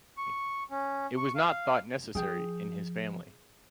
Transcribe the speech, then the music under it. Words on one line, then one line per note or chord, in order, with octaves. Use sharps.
It was not thought necessary in his family.
C#6
C#4
C#6
F5
F3 G#4 G5